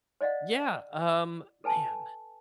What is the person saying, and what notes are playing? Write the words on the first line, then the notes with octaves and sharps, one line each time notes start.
Yeah. Um, man,
C5 D5 D#5 F5 F#5
A4 B4 G#5 A5